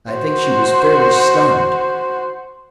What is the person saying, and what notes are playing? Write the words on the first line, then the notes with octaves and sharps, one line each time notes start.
I think she was fairly stunned.
F#4 C5